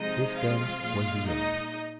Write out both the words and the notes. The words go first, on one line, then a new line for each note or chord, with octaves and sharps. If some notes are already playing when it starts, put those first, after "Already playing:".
This, then, was the end.
Already playing: C3 F3 G#3 D#4 D#5
F4 F5
A#2 G#3
D#4 D#5